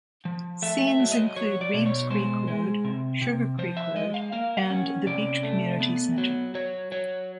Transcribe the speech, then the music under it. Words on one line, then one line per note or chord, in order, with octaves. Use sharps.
Scenes include Reems Creek Road, Sugar Creek Road and the Beech Community Center.
F3
A3 E5
E5
F#3
D#5
F#3 C#5
D5
B2
C#5
G#3 C5
G#3
C3
C3
F3 C5
E5
G#3 D#5
F5
A#3 F5
F#5
C#4
C3 D5
A3
B3
F#3
F#3 C#5
F#3 C#5